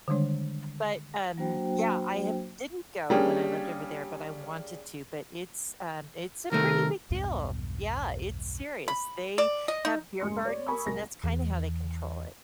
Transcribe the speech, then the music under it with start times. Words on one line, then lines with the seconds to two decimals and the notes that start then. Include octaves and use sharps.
But, um, yeah, I have didn't go when I lived over there, but I wanted to, but it's, um, it's a pretty big deal. Yeah, it's serious. They have beer gardens, and that's kinda how they control it.
0.08 D3 D#3 G3 G#3 D4 C#5
1.37 F#3 A#3 D4 F#4 C5 G5
3.10 G3 A#3 C#4 D4 G4 G#4
6.52 C2 D#3 A3 A#4
7.10 B1 E2 G2 B2
8.88 B5
9.38 D5
9.68 D#5
9.85 D#4
10.20 F#1 G#3 C6 C#7
10.45 C#5 D5
10.67 A#4 G#5 B5 C#6 D#6 E6
10.86 C2 G#3 A#4 A#6
11.24 E2